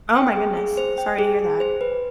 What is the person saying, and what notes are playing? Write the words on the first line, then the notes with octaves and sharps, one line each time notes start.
Oh my goodness. Sorry to hear that.
G5
G#4
G#4
C5
G5
G#4
G#4
C5
B4